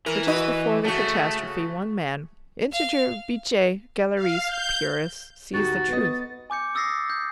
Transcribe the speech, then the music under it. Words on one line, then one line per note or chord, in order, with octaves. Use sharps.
But just before the catastrophe one man, integer vitae scelerisque purus, sees the truth.
E3 A#4
F#4 B4 D#5
C#3 A3 F#4
F5
F5
G6
D2 D#4 F#4 G4 A6
B3 D#5
G#5 D6 G6 C#7
D#6 E6 A6 A#6 C7
G6